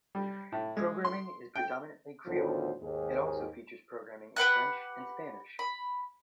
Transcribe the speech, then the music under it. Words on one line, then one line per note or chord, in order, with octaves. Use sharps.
Programming is predominately Creole, it also features programming in French and Spanish.
G3
A2
G#3
C6
G5
D2 A2 D#3 F3 B3 C5
D#2 G#2 G#4
G4 B4 F#5 F#6
B5